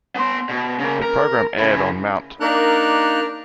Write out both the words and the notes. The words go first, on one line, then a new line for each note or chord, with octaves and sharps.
The program aired on Mt.
B3 C6
B2
C#3 A#3
A#4
C#3 E4
A#3 D4 D#4 A#4 F#6